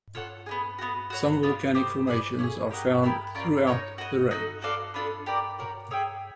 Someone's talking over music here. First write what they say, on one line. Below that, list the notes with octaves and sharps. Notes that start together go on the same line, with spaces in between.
Some volcanic formations are found throughout the range.
F4 A4 C#5 F#5
B3 D#4 G#4
B3 D4 F#4
F#4 A4 C#5
B3 D4 F4
G4 C5 D#5
G#4 B4 D5
C#4 E4 G#4
G4 A#4 D#5 F#5
B3 E4 G4 A#4
C#4 F4 A#4 D5
D#4 F#4 A#4 C#5
F#4 A#4 D#5
D#4 F#4 A4
F#4 A4 D5 F5
B3 D4 F4 A4
G4 A#4 D5
F#4 A#4 C#5
G#4 C#5 E5 G5